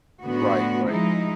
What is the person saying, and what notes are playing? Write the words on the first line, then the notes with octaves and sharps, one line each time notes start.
Right, right.
A2 D3 B3 F#4
F3 G#3 D#4 E4